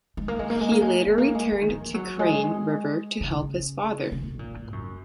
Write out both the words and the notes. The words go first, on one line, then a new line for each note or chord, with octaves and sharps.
He later returned to Crane River to help his father.
G#3
A#3
G#3
A#3
G#3
A#3
G#3
G#3
A#3
G#3
G#3
D#3
F3
F#3
G#3
C#3
C#3
B2
A#2
G#2
F#2